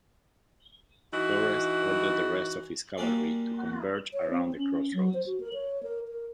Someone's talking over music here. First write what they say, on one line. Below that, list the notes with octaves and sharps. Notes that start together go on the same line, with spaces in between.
Forrest ordered the rest of his cavalry to converge around the crossroads.
E3 D#4 F#4
G3 A#3 F4 F#4 G#4 D5
C#5
C4
C#4
F#3
C5
F#4
A#4
C#5
A#4
A#4